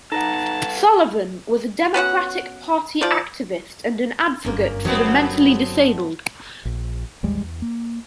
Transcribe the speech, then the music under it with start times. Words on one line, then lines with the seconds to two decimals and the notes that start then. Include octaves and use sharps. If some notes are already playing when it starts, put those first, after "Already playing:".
Sullivan was a Democratic Party activist and an advocate for the mentally disabled.
0.12 D#4 A4 B4 F#5 A5 A#5 A#6
1.94 B3 C#4 F#4 F#5
3.01 F3 D5
4.45 G1 F#2 A#3 D4
4.85 G2 F#3 A3 B3 C4
6.65 A#1
7.23 A1 D#2 G3 G#3
7.42 E2
7.62 A#3